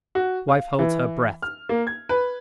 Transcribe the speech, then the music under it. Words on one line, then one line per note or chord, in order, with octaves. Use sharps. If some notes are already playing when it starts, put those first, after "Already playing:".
Wife holds her breath.
F#4
F5
E3
F6
A#3
G#6
B4